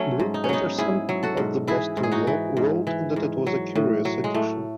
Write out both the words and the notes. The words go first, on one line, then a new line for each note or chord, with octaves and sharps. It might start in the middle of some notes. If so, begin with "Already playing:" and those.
Britt Peterson of the "Boston Globe" wrote that it was a "curious addition".
Already playing: F#3 A3 C#4
G#2
D#4
C#4
F#3 B3 D#4
G#2 E4 G#4
F#3
F#4 A4
G#2
E3 E4 G#4
G#2
G#4
D#4 F#4
E3
G#2
E3
G#2
F#3
A2
F#3
G#3
A2 A3